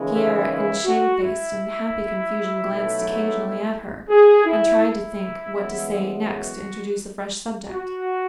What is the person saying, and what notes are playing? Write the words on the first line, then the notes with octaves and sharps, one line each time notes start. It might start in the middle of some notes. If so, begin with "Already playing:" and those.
Pierre in shamefaced and happy confusion glanced occasionally at her, and tried to think what to say next to introduce a fresh subject.
Already playing: D#2 C#3 E3 G#3
E4
E4
F#4
E4
B1 B2 A3
G#4
E4
E4
F#2 E3 G#3 B3
F#4
F#4